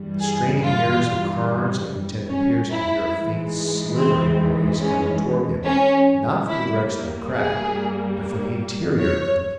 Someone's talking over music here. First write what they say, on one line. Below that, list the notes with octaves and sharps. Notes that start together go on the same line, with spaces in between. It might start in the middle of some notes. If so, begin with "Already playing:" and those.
The straining ears of Carnes and Lieutenant Pearce could hear a faint slithering noise coming toward them, not from the direction of the crack, but from the interior of the cave.
Already playing: G2 E3 G3
G#4
F4
C#4
E4
G#2 E3 G#3
C4
C#4
C#4
G2 G3 A#3 E4
G#4
C#5